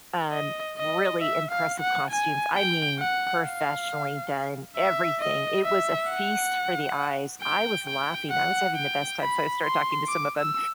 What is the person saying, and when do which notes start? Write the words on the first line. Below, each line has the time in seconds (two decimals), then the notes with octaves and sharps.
um really impressive costumes, I mean, professionally done everything it was a feast for the eyes, I was laughing, I was having the best time, so I started talking to some of 'em,
0.32 D#5
0.77 D#5
1.21 E5
1.51 F5
1.80 F#5
2.11 G#5
2.55 G5
2.99 F#5
3.43 F5
4.77 E5
5.20 D#5
5.65 E5
6.09 F#5
7.42 G5
7.87 G5
8.31 F#5
8.75 G5
9.20 B5
9.64 C6
10.08 D6
10.38 E6